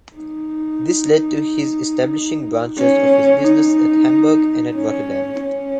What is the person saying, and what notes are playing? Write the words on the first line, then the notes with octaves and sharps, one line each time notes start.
This led to his establishing branches of his business at Hamburg and at Rotterdam.
D#4
C#4
D#4
C#4
C#4